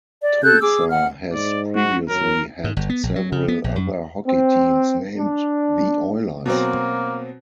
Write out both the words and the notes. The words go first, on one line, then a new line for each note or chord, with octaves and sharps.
Tulsa has previously had several other hockey teams named the Oilers.
D5
A4 F#6 G6
G#4 D6 E6
F#5 F6
G#2 D5
F#4
F#2 A#4
G#2
G1
B3
A#1
F#3
C#3
B3
A#1
F#2
C4
D4
B2 F#3 A#3 C4